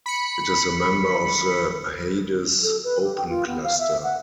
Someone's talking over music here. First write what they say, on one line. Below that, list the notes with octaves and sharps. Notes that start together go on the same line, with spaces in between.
It is a member of the Hyades open cluster.
B5 C#7
A4
B4
G4
G5
F4
B3
F5
E5
F#5